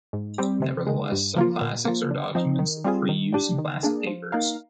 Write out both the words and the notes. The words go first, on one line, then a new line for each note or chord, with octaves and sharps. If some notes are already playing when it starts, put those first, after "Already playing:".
Nevertheless, some “classics” are documents of free use in Classic papers.
G#2
G3 C4 G4
C3
D#3 G#3
G2
F3 A#3 F4
A#2
F3 A#3
D3
F3 C4 D#4
D#3
G3 C4 F4 G#4
D#3
G3 D4 G4
D#3
A#3 D4 G#4
F3
A#3 D#4 A#4 F5